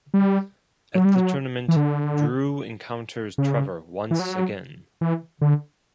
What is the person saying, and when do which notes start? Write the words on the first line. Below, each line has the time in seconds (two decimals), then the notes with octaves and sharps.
At the tournament, Drew encounters Trevor once again.
0.14 G3
0.95 F#3
1.05 G3
1.15 F#3
1.68 E3
1.76 D3
3.38 C#3
4.11 E3
4.20 F#3
5.01 E3
5.41 D3